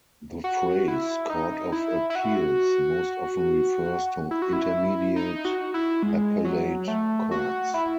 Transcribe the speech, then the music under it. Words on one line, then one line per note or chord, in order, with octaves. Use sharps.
The phrase "court of appeals" most often refers to intermediate appellate courts.
F#4
E4
D#4
E4
E4
F#4
E4
F#4
E4
D#4
F#4
E4
G#3
F#3
A3
F#4
E4